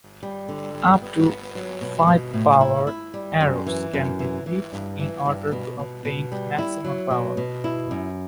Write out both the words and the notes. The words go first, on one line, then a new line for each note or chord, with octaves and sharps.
Up to five power arrows can be lit in order to obtain maximum power.
G3
D3
G3
B3
B3
F#3
B2
B2
A2
E4
E4
G3
F#2
E3
F#2
E3
E3
G2
E3
G2
B2
B2
B2
G3
E4
F#3
B2
B2
E4
F#2